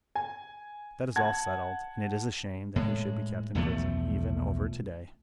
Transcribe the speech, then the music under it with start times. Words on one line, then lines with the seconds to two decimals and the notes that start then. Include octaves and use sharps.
That is all settled, and it is a shame that he should be kept in prison even over to-day.
0.15 G#5
1.16 F#5 A5 G#6
2.76 A2 G#3
3.55 B1 E2 F3 A3